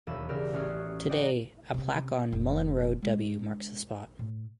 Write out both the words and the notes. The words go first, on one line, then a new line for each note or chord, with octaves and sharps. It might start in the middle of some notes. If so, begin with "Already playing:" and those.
Today a plaque on Mullan Road W. marks the spot.
E1 D#2 F#3 B5 E6 D#7
C#3 G4 A#4 D5 E6
A1 C#4 F#4 D#6 F6 C7
C5 D5 D#5 F#5 G5 A#5
C3 C#4
F1
G#3 D4
A2